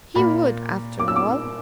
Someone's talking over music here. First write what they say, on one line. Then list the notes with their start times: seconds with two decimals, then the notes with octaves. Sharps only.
He WOULD after all.
0.15 A#2 A#3 B5
0.99 D6
1.08 E6
1.16 D6